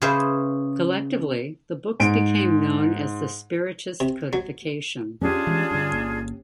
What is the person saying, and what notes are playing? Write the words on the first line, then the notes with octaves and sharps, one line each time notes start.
Collectively, the books became known as the Spiritist Codification.
C#3 C#4 G#4 B4 C5 E5
G#2 D7
C3
F#3
C#4 D4 F4 G4 G#4
E3 F3 G#3
G2 D3
G1 A#3